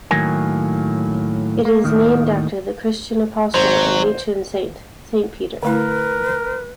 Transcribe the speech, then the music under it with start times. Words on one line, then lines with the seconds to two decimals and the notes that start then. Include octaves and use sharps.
It is named after the Christian Apostle and patron saint, Saint Peter.
0.11 A2 D#3 F#3 A#3 A#4 G#5
1.65 A#3
1.84 D#2 A2 D#3
3.54 G#1 F#3 C5
5.63 D3 A3 E4 A#4 B4